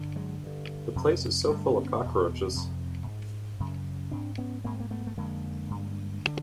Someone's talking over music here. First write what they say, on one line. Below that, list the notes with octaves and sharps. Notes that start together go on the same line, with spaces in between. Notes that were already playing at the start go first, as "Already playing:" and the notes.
The place is so full of cockroaches.
Already playing: G2 D3
F#3 G#3
G2 D3
F2 C3
G2 D3 G3 A3
B3 C#4
E2 B2
F2 C3
G#2
F#2 C#3
G#2 C4 D4
B3 C#4
G#2 A#3 C4
A#3
A3 B3
A3
F2 D3 G#3 A#3
G2 D3
D3